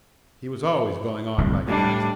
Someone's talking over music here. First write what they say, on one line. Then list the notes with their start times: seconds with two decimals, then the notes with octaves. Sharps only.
He was always going on like that.
1.38 D1 C2
1.68 A2 G3 D4